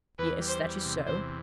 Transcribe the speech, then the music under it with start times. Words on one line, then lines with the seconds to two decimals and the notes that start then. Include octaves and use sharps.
"Yes, that is so."
0.19 E2 B4
0.41 G3
0.48 C5
0.63 E2
0.85 C3
1.07 E2 C5